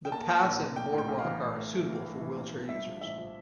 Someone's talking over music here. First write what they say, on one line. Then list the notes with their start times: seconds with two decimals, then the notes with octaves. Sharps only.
The paths and boardwalk are suitable for wheelchair users.
0.05 G5
0.12 A#3 A5
0.28 A#3
0.44 A#1
0.60 A#1
0.76 A#1 G5
0.93 A2
0.98 G5
1.08 A#1
1.19 F5
1.24 E3
1.41 A2
1.57 A3
1.73 A3
1.89 E3
2.05 A2
2.21 E3
2.37 A#1
2.54 A#1
2.69 G2 E5
2.85 F3
3.01 A1 E5
3.18 F3